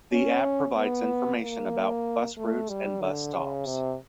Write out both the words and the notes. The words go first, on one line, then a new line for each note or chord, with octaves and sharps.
The app provides information about bus routes and bus stops.
C#4
B3
A#3
A3
G3
D3
C#3
C3